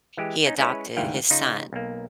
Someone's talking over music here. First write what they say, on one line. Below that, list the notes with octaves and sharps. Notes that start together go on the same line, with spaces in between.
he adopted his son,
E3 G#3 G4
C#4 D#4
G#3 C#4 E4 B4 C#5 E5
G1 D2 G#2 E3 F5 G5
C#3 D#4 F4
B1 A#3